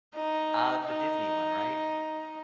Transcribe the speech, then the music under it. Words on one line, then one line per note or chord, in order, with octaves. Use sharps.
Ah, that's the Disney one, right?
D#4
D#4